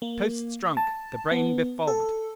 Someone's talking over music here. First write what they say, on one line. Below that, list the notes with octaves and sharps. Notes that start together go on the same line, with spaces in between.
Toasts drunk. The brain befogged.
A#3
A5
B3
A4